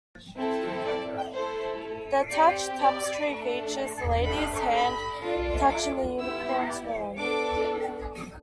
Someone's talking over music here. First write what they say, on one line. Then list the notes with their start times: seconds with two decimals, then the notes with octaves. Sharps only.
The "Touch" tapestry features the lady's hand touching the unicorn's horn.
0.37 C4 E4 A4
0.85 D5
1.34 A3 E4 A4 C5
2.31 C4 G4 D5
2.80 D5
3.28 A3 D4 A4
4.25 A3 D4 G4 B5
4.74 B5
5.23 D4 F4 A4
5.71 D6
6.19 B3 E4 G4 E6
7.17 B3 D4 A4 D6